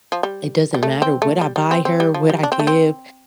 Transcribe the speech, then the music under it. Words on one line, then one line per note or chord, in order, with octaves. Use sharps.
It doesn't matter what I buy her, what I give.
F3
G3
G3
A3
C4
A3
G3
G3
C4
C4
G3
F3
G3
D4
C4
A3
C4